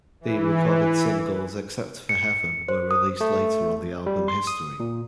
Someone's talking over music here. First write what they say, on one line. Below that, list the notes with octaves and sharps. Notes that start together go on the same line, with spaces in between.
The recorded singles, except for "Heaven", were released later on the album "History".
E3
C#7
C5
D#6
A3
G3
C6
D#6
A#2